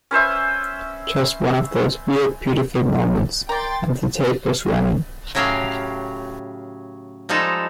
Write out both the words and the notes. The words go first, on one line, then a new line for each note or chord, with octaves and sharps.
Just one of those weird, beautiful moments...and the tape was running.
C#4 B4 C5 E5
A#4 D5 G5 C6 A6
A2 C#3 F#3 C#4 G4 F5
F3 G3 G#3 D#4 A4